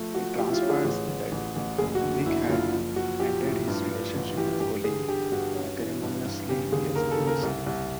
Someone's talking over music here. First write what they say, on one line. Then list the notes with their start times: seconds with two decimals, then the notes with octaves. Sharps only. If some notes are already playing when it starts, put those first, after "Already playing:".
It transpires that Vic had ended his relationship with Colleen acrimoniously years previously.
Already playing: F3 A3
0.14 F3 F#4
0.38 F3 G4
0.49 E4
0.53 F4
0.62 C#4
0.69 G#4
0.85 A1
1.08 A1
1.32 A1
1.56 A1
1.78 F#1 G#4
1.95 F#4
2.02 D3
2.26 F#1 E4
2.49 F#1 F4
2.73 F3
2.96 F3 F#4
3.20 F3 G4
3.43 A2
3.67 G2
3.91 G2
4.14 A1
4.37 E3 G4
4.60 G2 G4
4.84 D3 G#4
5.08 D3 G4
5.32 G2 F#4
5.55 C#4
5.79 E3
6.02 G2
6.25 G2
6.49 C#3 G4
6.72 D#2 G#4
6.96 D#2 A#4
7.11 A4
7.19 C#3
7.27 A#4
7.43 C2
7.66 C2